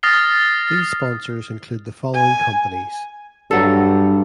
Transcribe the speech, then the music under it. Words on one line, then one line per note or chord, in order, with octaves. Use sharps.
These sponsors include the following companies.
D#6 F6 A6 A#6 C7 G7
G#5
G2 F#3 A4